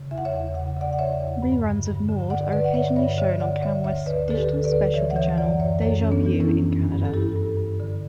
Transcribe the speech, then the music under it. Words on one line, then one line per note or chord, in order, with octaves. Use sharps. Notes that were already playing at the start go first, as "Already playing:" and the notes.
Reruns of "Maude" are occasionally shown on Canwest's digital specialty channel, DejaView in Canada.
Already playing: C#3
E2 E5
F#5
C#5 E5
E2
C#3 F#5
C#3 D5 F#5
F#5
E2 C#5 E5
E2
G2
D3
G2
D3
D3 D5 F#5
D3 B4 D5
F#5
G2 C#5 E5
D5
G2 C#5 E5
D3 C#5 E5
D3 D5 F#5
D3 C#5 E5
D2 C#5 E5
D3 B4 D5
D3 A4
G4 B4
D3
B4 D5
D2
E3 C#5 E5
F#5
E3 C#5 E5
F#2 D5 F#5
F#2 C#5 E5
F#2 A4 C#5
E3 C#4
B3 D4
E3
C#4 E4
F#2
G2
G2
A4
G2 E4 G4
G2
G2
D3